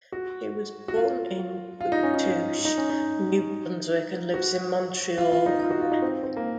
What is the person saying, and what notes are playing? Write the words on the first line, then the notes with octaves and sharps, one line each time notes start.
She was born in Bouctouche, New Brunswick and lives in Montreal, Quebec.
F#4
F#4
F4
F4
D#4
C#4
D#4
D#4
C#4
D#4
F#4
F4
F4
D#4
F4
F#4
F4
D#4
C4
C4
A#3